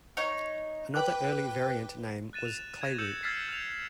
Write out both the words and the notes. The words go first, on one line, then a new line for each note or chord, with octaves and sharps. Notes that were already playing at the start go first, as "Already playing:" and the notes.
Another early variant name was "Clayroot".
D#4 C#5
B4 G5 D6 F#6
F#6 A6 D#7 E7
E7 F7
G#6 A#6
E6 G6 C#7 E7 F#7
E6 F6 G#6 A6 B6 C7
F6 G6 F7